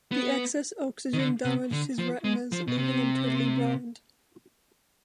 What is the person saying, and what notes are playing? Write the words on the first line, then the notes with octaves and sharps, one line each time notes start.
The excess oxygen damaged his retinas, leaving him totally blind.
B3
D#3
D3
C3
D3
F3
G#3
F3
B2
C3